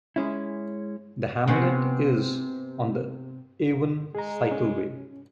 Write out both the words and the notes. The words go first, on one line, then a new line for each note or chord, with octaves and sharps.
The hamlet is on the Avon Cycleway.
G#3 C#4 E4
C3 B3 C#4
G#3 G#4 A#5
C#4